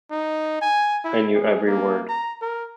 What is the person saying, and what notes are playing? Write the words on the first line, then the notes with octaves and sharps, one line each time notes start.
I knew every word.
D#4
G#5
E4
G#4
A#3
A#5
A#4